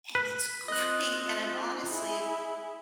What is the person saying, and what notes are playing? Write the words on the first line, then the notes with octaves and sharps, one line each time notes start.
and it's great, and I'm honestly
B4
C4 F4 D#5 F#6
E4 G#4